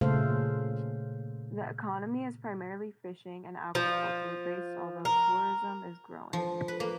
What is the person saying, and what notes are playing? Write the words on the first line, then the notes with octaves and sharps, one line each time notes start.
The economy is primarily fishing and aquaculture based although tourism is growing.
A#2 C#3 A3 A4 C5 F5
F3
A#4
F3
B4
A#3